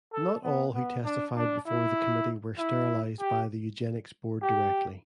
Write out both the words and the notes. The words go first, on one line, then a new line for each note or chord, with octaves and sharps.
Not all who testified before the Committee were sterilized by the Eugenics Board directly.
A4
B3
B3
D4
D4
E4
E4
G4
G4